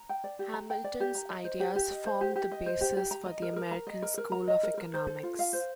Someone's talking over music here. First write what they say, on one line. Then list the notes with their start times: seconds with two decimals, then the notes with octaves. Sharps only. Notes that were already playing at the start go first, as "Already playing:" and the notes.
Hamilton's ideas formed the basis for the "American School" of economics.
Already playing: A#5
0.09 G5
0.24 D5
0.39 G4
0.54 A#5
0.70 G5
0.84 D5
1.00 G4
1.15 A#5
1.29 D#5
1.44 C5
1.60 G4
1.76 G4
1.90 D#5
2.06 C5
2.21 G4
2.36 G4
2.52 D#5
2.66 C5
2.81 G4
2.97 G4
3.11 A#5
3.26 D#5
3.42 A#4
3.56 A#4
3.71 A#5
3.87 D#5
4.02 A#4
4.18 A#4
4.32 A#5
4.48 D#5
4.63 A#4
4.78 A#4
4.94 C5
5.07 A4
5.23 F4
5.39 F5
5.53 C5